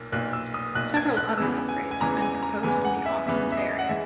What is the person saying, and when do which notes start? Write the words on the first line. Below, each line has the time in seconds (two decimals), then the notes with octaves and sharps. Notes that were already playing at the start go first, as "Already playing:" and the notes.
Several other upgrades have been proposed in the Auckland area.
Already playing: B1 A#2 A#3
0.12 B1 A#2 A#3 F#6
0.33 E6
0.54 D#6
0.75 B1 A#2 A#3 F#6
0.97 G#6
1.17 F#6
1.37 E2 C#3 E3 B3 E6
1.69 G#5
1.91 G#5
2.00 E2 C#3 E3 B3 A#5
2.22 G#5
2.43 A#5
2.63 E2 C#3 E3 B3 G#5
2.85 F#5
3.06 E5
3.26 E2 C#3 E3 B3 E5
3.52 E5
3.57 D#5
3.79 F#5
3.89 E3 G#3 E5